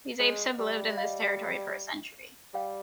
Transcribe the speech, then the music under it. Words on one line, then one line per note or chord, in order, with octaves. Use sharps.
These apes have lived in this territory for a century.
G#3 C#5 D#5
G3
E5
D#5 F5
G3 F5 G5